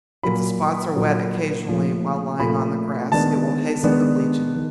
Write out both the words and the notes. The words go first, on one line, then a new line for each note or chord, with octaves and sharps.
If the spots are wet occasionally while lying on the grass, it will hasten the bleaching.
A#2 F#3 A#3 B5
A#2 F#3 A#3
A#2 F3 A3
A#2 F3 A3 B5
D#3 G#3 B3 D4 A5
D#3 G#3 B3 D4
D#3